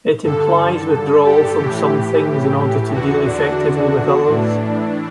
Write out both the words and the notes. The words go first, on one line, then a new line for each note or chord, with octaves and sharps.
It implies withdrawal from some things in order to deal effectively with others.
G2 D3 A4
G4
A2 E3 G4
E2 D3 F#4
D4
A2 E3